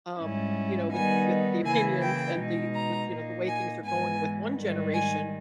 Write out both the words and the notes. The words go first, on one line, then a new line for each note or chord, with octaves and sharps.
um, you know, with with the opinions and the the, you know, the way things are going with one generation,
G#2 G3 C#4 E4
D#3 G3 B3 D#4 G#5
C#3 E3 A#3 E4 G#5
G5
B2 G#3 D#4
A#5
A#2 A#3 D#4
G#5
G#2 E3 G#3 B3 G#5
G#2 D#3 G3
G#5